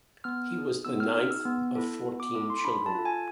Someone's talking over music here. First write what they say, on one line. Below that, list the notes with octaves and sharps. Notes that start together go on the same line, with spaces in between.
He was the ninth of fourteen children.
B3 F6
D#4 G#4
B3 E6
F6
D#4 G#4 F6
E6
B3
E4 A4
B3
D6
E4 A4 D6
C6
D4 B5
A5
F4 A4
G#5